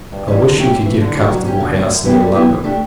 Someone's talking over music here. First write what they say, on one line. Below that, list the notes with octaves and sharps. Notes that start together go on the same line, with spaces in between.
I wish you could get a comfortable house near London.
G2
E3 G3 C#4
D3
F#3 A3 E4 G4
F#2
E3 A3
D3
G3 D4 F#4
F#3
C#4 G4
D3
A3 C#4
F#2
E3 B3 E4 G4
G3
B3 E4 G4 B4
E3
A3 D4 G4